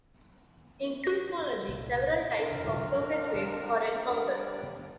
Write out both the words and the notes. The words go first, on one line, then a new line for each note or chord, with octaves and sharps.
In seismology, several types of surface waves are encountered.
F#4 A#6
C2 A#2
C4 D4 F4 A#4
G3 D4 B4 D5